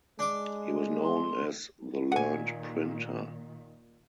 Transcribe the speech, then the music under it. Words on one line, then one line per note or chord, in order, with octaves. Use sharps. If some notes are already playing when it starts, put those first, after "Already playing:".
He was known as the learned printer.
G#3 D4 D6
C6
A#2 D#3 F#5 G#5